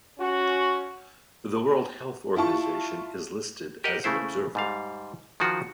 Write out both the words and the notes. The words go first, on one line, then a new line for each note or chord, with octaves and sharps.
The World Health Organization is listed as an observer.
C#4 F#4
E4 F4 A5 C#6
G4 A#4 D#5 F#5
C#3 A3 E4 C5
G#2 G3 F5
D#3 F3 F4 F#4